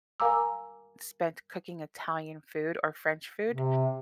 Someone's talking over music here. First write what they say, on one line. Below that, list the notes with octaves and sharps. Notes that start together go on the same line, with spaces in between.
spent cooking Italian food or French food,
A#4 F5 G#5 A#5 D6 E6
C3